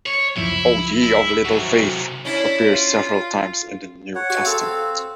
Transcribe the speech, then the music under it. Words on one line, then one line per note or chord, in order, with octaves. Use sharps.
"O ye of little faith" appears several times in the New Testament.
C#5
C#2 F#2 F3 E4
E4
C3 F#3
C#4 D4 E4
F4
C#5 F#5
F#4
C4 A4 F5